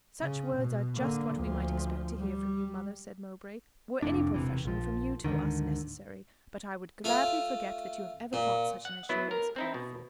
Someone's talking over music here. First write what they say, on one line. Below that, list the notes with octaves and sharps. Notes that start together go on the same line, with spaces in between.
"Such words are just what we might expect to hear from you, mother," said Mowbray, "were any profession from you to us necessary; but I would gladly forget that you have ever thought such an assurance called for."
C#3
B2
D3 A#3
D2 F3
G3
F1 F2 A2 D4
E1 C3 E3
A#1 F3
D2 G#2 D3 D#3
A3 F4
A#2
F#5
F#3 B3 E4
A#4
C4 D#4 E4
B2